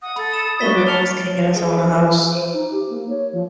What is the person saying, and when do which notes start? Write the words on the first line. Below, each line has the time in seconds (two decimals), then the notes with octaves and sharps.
Every one is king in his own house.
0.02 F#5 D#6
0.16 A4 B5 A6
0.33 E7
0.59 F#4 A6 B6 G7
0.74 D6
0.87 A5 F6 C#7 F7 G7
1.24 C#5
1.38 F3
1.55 G#4
1.76 C5
1.96 F3
2.33 C5
2.54 D#4
2.71 G4
2.90 A#3
3.09 C#5
3.33 F3